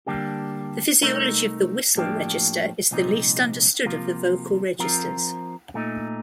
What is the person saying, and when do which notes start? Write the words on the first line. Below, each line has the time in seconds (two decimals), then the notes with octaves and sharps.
The physiology of the whistle register is the least understood of the vocal registers.
0.07 D3 G3 A#3 D4 G4
1.01 C2 A#2 A3 D#4 A#4
1.95 A2 F3 A#3 D4 G4
2.91 C2 A#2 F3 C4 D#4
3.85 C3 F3 A#3 F4
4.79 F3 C4 F4 A#4
5.74 A#2 A3 D#4